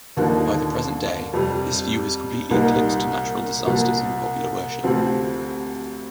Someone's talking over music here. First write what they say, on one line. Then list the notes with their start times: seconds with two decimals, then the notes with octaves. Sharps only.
By the present day, this view has completely eclipsed natural disasters in popular worship.
0.17 D#2 D3 F3 A#3 D#4
1.33 F2 C3 G3
2.51 C2 A#2 G3 A#3 D#4
3.66 C2 A#2 F3
4.83 D2 C3 F3 C4